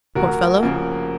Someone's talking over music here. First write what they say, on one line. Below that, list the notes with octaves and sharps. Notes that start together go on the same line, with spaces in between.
Poor fellow!
F1 F#4 A#4
C#3 F3 A#3